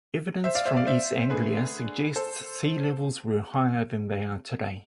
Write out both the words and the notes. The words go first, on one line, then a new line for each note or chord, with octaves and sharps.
Evidence from East Anglia suggests sea levels were higher than they are today.
C5 E5
D5 F5
C5 E5
D5 F5
C5 E5
D3 A3 G#4 B4
A4 C5